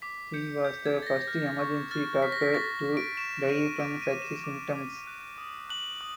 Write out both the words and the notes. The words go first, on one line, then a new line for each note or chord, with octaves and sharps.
He was the first emergency doctor to die from such symptoms.
D6 B6
G6 C#7
D6 G6
G#6
D6
A6
A#6
F6
C#6
F6 A6
F6 B6
A#6
B6
C#6 A6
C#6
D7
C#6 E7
F6 D#7
D6 D7
D#7
D6
E7
D6
D6
F#6
D#6
F#6 F#7
D#6